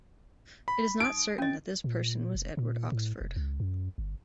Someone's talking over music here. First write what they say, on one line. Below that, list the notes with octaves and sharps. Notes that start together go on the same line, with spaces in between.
It is not certain that this person was Edward Oxford.
B5
D#4 D#6 D7
C#4 D#5
A#2
F1
A#2
A2
F1
C#2
F#2
G1